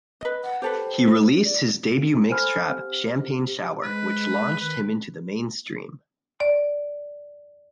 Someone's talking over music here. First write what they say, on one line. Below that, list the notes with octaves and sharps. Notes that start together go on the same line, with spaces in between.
He released his debut mix trap "Champagne Shower" which launched him into the mainstream.
B4 D#5
F#5
G4 A4 B4 C5
D5
A4 C5 G#5 B5 F6
C4 G4
G#3 B4
D#3 B4
D5